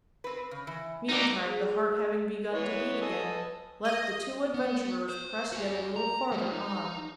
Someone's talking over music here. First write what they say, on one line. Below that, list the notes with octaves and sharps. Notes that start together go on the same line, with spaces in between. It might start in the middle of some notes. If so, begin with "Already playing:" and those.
Meantime, the heart having begun to beat again, let the two adventurers press yet a little farther on.
C4 B4
C#3
E3
C#4 D#4 F#4 G4 D5
G#4
E3 B3 C#5
B4
A4 D#5 G#5
D#5
B3
C5
F#4 G#5
A#5
G3 A3
D#4